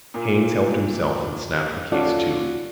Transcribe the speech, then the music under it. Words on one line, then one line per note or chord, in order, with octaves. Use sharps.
Haines helped himself and snapped the case to.
A#2 A#3
C#4 F4 F#4 A4 D5